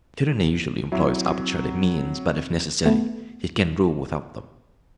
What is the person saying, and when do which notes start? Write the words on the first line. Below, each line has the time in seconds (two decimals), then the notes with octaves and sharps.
Tyranny usually employs arbitrary means, but, if necessary, it can rule without them.
0.92 F#3 C4 E4
2.86 A3 B3